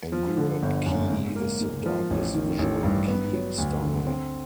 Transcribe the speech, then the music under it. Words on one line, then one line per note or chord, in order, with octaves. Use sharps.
Angura kei is the darkest visual kei style.
F3
D3
G1
F#2
G#2
A#3
G#2
F3
A1
D#3
A1
G2
B3
F#3
D2
D3
C4